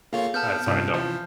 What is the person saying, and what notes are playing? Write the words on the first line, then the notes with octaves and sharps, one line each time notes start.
Alright, sorry, I don't.
A#3 F4 G#4 A4 C#5 F5
B3 A5 F6 G6
G2 C3 C#4 F4
E3 F3